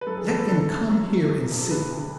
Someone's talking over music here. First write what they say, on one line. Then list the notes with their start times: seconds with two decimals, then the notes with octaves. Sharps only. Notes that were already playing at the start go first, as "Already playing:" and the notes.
Let them come here and see.
0.01 B4
0.07 F#2 A4
0.17 G#4
0.28 F#1 A4
0.38 B4
0.47 D3 A4
0.69 A3
0.89 F#2
1.10 F#3
1.30 E2
1.51 E1
1.71 D3 B4
1.91 D2